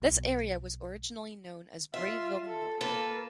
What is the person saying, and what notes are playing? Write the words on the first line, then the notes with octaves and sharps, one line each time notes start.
This area was originally known as Brayville North.
B1
F4 E5
A4
A#3 A4 B4